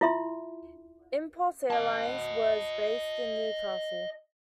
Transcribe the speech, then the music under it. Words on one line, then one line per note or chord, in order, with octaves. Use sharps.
Impulse Airlines was based in Newcastle.
E4 F4 E5 C6
D#5 A5